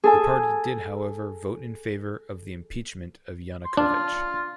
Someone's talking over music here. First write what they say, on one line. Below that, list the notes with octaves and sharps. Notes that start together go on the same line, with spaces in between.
The party did however vote in favour of the impeachment of Yanukovych.
G#4 A4 G#5
C6
D4 F4